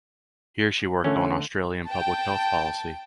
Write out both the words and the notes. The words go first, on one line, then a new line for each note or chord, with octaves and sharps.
Here she worked on Australian public health policy.
D3 A3 C#4
G5 A5